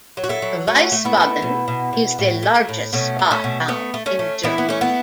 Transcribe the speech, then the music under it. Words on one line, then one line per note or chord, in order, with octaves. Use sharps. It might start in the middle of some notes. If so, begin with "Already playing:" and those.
Wiesbaden is the largest spa town in Germany.
F#3
F#4
E4 A4
F#3
A3 C#4 F#4
A3
B3 E4
A3
B2
B2
B2
A2
A3
A2
B2 A3 C#4
A3
A3 C#4
B2
A3 B3
A3
A3 C#4
A3
E3 B3 E4
B3
A3 C#4
B3 E4